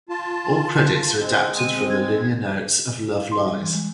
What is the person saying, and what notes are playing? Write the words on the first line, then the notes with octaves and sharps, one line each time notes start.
All credits are adapted from the liner notes of "Love Lies".
F4 A5
G#3 C4
D#7
G#6
F5
C6
G3
E3
G#3